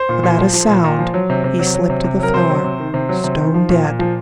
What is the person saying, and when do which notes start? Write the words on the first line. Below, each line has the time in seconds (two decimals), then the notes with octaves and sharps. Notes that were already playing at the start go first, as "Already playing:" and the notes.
Without a sound he slipped to the floor, stone dead.
Already playing: C5
0.09 A#2
0.23 A#2
0.39 F3
0.53 F3
0.69 A#2
0.84 A#2
0.99 F3
1.14 F#3
1.30 C3
1.44 C3
1.59 F#3
1.74 F#3
1.90 C3
2.04 C3
2.20 F#3 A#4
2.34 C3 C5
2.50 F#3
2.64 C3
2.80 D#3
2.94 C3
3.09 F#3
3.24 C3
3.40 D#3
3.54 F3
3.70 A#2
3.84 A#2
3.99 F3